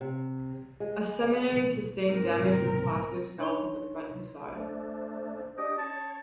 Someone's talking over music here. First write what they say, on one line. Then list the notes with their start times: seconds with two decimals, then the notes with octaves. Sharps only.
A seminary sustained damage when plasters fell from the front facade.
0.01 C3
0.80 G#3
2.08 G#2 C4 A#4
3.38 D4 D#4 C#5 C6 C#6 G7
4.55 A3 D4 C5
5.58 D4 G4 D5 D#5
5.78 C#4 C#5 A5